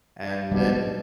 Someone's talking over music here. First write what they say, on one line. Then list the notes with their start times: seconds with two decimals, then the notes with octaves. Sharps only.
and then
0.51 B2 F#3 G3 B3 D4